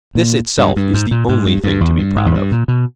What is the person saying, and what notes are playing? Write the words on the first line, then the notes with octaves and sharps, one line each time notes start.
This itself is the only thing to be proud of.
A#2
G2
G2
G#2
A#2
G#2
G2
G2
E2
G2
G#2
E2
G2
A#2
B2